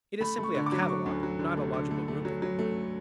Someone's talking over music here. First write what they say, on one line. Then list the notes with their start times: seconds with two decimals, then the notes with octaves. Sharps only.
It is simply a catalogue, not a logical grouping.
0.21 A3 B5
0.38 A3
0.43 C#6
0.55 D3
0.66 D6
0.72 F#3
0.82 D6
0.89 D3 C#6
1.06 D2
1.23 F#3
1.39 D3
1.57 A3
1.73 D3
1.91 A3
2.08 A3
2.25 F#3
2.42 F#3
2.59 A3